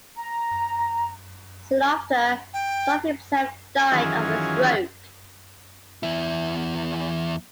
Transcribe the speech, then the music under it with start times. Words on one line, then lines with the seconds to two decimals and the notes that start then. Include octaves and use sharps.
Soon after, Struve himself died of a stroke.
0.16 A#5
2.54 G5
3.92 D#3 E3 F#3 C#4 F4 G#4
6.03 E2 E4